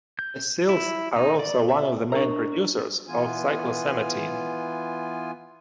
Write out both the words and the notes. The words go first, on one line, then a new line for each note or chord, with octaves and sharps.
S cells are also one of the main producers of cyclosamatin.
G6
E4
D#4
D5
E5
D4 A#4 D#5 A#5 C#6
E3 B3 F4 G#5